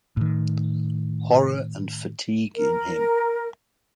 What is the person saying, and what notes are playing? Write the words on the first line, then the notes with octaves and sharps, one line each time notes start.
Horror and fatigue in him.
A2 D#3
A#4